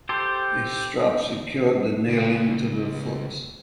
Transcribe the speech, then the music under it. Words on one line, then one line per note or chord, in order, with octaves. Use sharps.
A strap secured the nalin to the foot.
G4 A4 C5
C#2